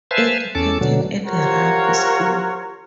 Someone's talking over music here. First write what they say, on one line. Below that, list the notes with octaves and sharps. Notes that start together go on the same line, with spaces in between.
Educated at Rugby School.
B4 C5 E5 F5 G#5 A5
E2 C#4 A4 A5 D6
B2 D3 F#3
F4 G4 A#4 C5 C#5 F#5